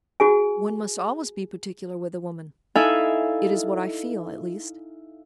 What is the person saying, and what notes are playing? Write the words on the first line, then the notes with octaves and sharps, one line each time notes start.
"One must always be particular with a woman; it is what I feel, at least."
F#4 G#4 G#5
D#4 E4 A4 E5 F5 G#5